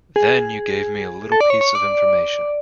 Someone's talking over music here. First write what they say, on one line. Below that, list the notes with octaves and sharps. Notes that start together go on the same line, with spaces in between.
Then you gave me a little piece of information.
G#4
A4
D5
C#5
C#5
D5